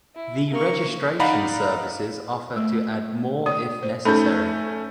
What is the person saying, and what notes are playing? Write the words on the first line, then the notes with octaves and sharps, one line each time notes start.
The registration services offer to add more if necessary.
E4
A#3 C#6
D#4 D5 F5 F#5 A#5 B5
A3
D5 D#6
C5
A3 C#4 D#4 A4 B5 G6